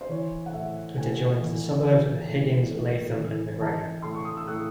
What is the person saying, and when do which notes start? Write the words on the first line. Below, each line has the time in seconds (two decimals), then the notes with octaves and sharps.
It adjoins the suburbs of Higgins, Latham and Macgregor.
0.01 C5
0.09 E3 C#5
0.46 F#5
0.53 A2 E5
0.97 A2 G#5
1.41 E3
1.85 E3
2.28 A2
2.72 A2
3.17 E3
3.60 E3 A5
4.02 A2 C6
4.15 C#6
4.25 D#6
4.37 E6
4.47 A2 F#6